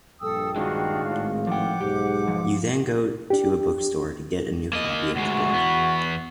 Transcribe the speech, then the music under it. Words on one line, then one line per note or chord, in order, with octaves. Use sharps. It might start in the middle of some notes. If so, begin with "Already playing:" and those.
You then go to a bookstore to get a new copy of the book.
A#1 G2 A4 G5 D#6 E6
D#3 G#3 D4 F4 F#4
G#1 A2 F5
F3 F#5 G5 D6
B1 G#2 G4
F3
D4 G4
A#3 D#5
D2 G#3 F#4
E2 B3